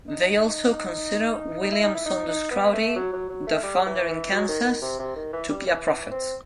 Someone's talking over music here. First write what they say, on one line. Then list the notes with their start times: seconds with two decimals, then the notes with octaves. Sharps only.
They also consider William Saunders Crowdy, their founder in Kansas, to be a prophet.
0.08 D#4
1.61 D#4
1.72 E4
1.83 D#4
1.94 E4
2.06 D#4
2.28 D#4
2.51 B3
2.73 A3
2.96 F#3
3.13 F#3
3.29 F#3
3.47 A3
3.63 G3
3.86 E3
4.08 E3
4.31 F#3
4.48 D#3
4.64 D#3
4.82 C3
4.99 C3
5.16 D#3
5.33 E3
5.49 G3
5.66 E3
5.88 E3
6.11 C4